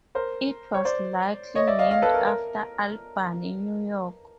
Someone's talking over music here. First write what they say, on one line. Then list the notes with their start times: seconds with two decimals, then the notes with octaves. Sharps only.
It was likely named after Albany, New York.
0.15 A#4 C5
0.74 C#5
0.85 C5 D5
1.55 C#5 D#5
1.67 D5 E5
1.79 D#5 F5
1.91 D#5 F5
2.02 A4 B4
2.14 A#4
2.26 A#4